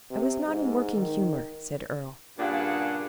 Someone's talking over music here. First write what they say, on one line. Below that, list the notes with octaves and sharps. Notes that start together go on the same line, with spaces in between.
"I was not in working humor," said Earle.
C3
G#2
D#3
G2 A#2 C#3 D4 G#4 F#5